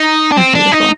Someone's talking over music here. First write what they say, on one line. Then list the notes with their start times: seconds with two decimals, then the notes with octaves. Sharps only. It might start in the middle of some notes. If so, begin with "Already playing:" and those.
That's beautiful.
Already playing: D#4
0.32 D4
0.37 C4
0.55 D4
0.72 D#4